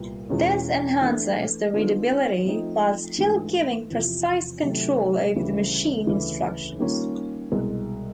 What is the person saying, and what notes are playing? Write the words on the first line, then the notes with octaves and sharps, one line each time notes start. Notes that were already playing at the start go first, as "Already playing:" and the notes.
This enhances the readability while still giving precise control over the machine instructions.
Already playing: C2 A#2 G3 B3
E2 B2 G#3 C#4 F4
E3 A3 D4
D#3 G#3 B3 D4 F4
F3 A3 C4 D#4
G#2 E3 A3 D4 F4
E2 C3 F3
C3 D#3 F#3 A3
D2 C#3 E3 G3
D2 C#3 E3
D#3 G3 A#3 C#4 F4
C2 B2 G#3